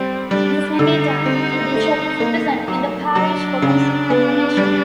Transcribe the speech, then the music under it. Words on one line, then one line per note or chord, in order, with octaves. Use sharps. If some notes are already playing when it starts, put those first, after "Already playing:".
This may be done when the bishop is present in the parish for Confirmation.
Already playing: G3 C4
G3 D4
D3 D#4
C4
A3
A#3
F#3
F#3 D4
C#3
B3
G3